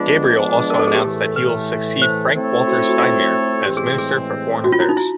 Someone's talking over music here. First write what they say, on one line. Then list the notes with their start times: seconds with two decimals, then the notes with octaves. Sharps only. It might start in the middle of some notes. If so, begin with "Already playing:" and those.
Gabriel also announced that he will succeed Frank-Walter Steinmeier as Minister for Foreign Affairs.
Already playing: F3 G#3 B3 D4 F4
0.70 A#4
0.79 A4
0.87 G#4
0.95 G4
1.03 A2 E3 A3
1.36 B4
2.02 C5
2.34 A3 C4 E4 A4 C#5
2.67 F#4
2.78 F4
2.89 F#4
2.99 F4
3.65 A2 E3 G#3 C4 G4
3.77 G#4
3.87 G#4
3.98 G#4
4.64 F#4
4.72 F4
4.80 E4
4.89 D#4
4.97 E4